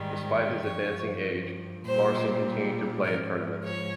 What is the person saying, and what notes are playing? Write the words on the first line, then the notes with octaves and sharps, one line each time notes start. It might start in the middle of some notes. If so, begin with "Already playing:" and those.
Despite his advancing age, Larsen continued to play in tournaments.
Already playing: G#2 D#3 G3
G2 F3 C#5
A#2 G3 C5
G#2 F3 A#4
C#5